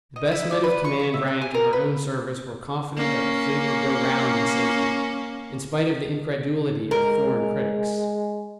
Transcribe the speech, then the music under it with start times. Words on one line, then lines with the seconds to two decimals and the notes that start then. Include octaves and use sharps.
The best men of command rank in our own service were confident that the fleet would go round in safety, in spite of the incredulity of foreign critics.
0.16 D#5
0.32 E4
0.51 D5
0.64 B4
0.85 C#6
1.00 C#5
1.14 E5
1.28 F#6
1.42 G#5
1.54 A#4
1.73 B4
2.97 A#3 C#4
6.91 G#3 A#4